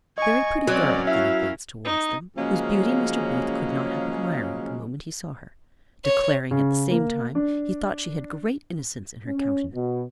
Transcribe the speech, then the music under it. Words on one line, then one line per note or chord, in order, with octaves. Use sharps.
A very pretty girl then advanced towards them, whose beauty Mr. Booth could not help admiring the moment he saw her; declaring, at the same time, he thought she had great innocence in her countenance.
D#5 G#5 C#6 G#6
F#3 C4 C#4 A#4 D5
E4 E5 F5
D#4
C#3 F3 F#3 G#3 A#3 C#4
C#5
C#3
A#3
D4
C#4
B2